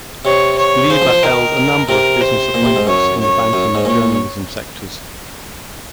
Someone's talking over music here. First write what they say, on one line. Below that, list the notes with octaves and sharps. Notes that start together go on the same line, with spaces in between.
Lever held a number of business appointments in the banking and journalism sectors.
C3 C#5
C#5
C#3 C5
F3
F3
D#3 A#4
C3 A#4
C5
A#2
C3
G#2
F#2 C#5
C#5
F#2
G#2
A#2 C#5